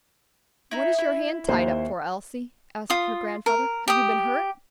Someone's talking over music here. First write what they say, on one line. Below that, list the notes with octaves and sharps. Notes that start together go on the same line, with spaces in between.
"What is your hand tied up for, Elsie?" asked her grandfather; "have you been hurt?"
D#4 E4
E4
D#2 C5
F4 D#6
A#4
G4 D#6